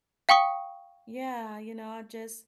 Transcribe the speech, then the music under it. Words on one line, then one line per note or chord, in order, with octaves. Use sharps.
Yeah, you know, I just
F5 G5 C#6 D#6 C#7